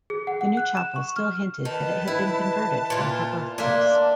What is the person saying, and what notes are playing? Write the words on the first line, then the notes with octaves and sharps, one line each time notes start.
The new chapel still hinted that it had been converted from her birthplace.
G#4
F#5
F#5
F#6
E7
C#6
F6
D#3 B4 A5
E4
A#2 F4
A#3 D4 E5 G#5 C6
A5